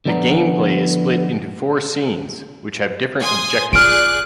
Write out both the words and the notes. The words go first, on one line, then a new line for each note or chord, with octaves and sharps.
The gameplay is split into four scenes, which have different objectives.
D3 F3 B3 D5 G#5 A#5
G#5 C6 D#6
F4 G#4 D5 F6 F#6 D7